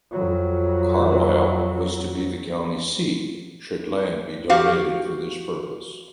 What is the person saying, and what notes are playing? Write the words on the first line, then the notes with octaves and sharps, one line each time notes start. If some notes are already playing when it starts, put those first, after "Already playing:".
Carlyle was to be the county seat should land be donated for this purpose.
F2 F#3
F#4 G4 F5